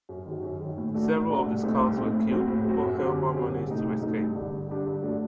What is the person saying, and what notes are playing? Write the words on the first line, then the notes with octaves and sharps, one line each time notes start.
Several of the scouts were killed, but Helmer managed to escape.
F#2
D#3 F#3
F#2
D#3 F#3
A2
A3 D4 F#4
A2
A3 D4 F#4
C2
A#2 A3 C4 D#4
C2
A#2 A3 C4 D#4
A2
F#3 C4 F#4
A2
F#3 C4 F#4
F#2
D3 F#3 C4 G4
F#2
D3 F#3 C4 G4
C2
C3 F#3 A3 D#4
C2
C3 F#3 A3 D#4
G2
D3 G3 D4 G4
G2
D3 G3 D4 G4
G2
F#3 A3 D4 F#4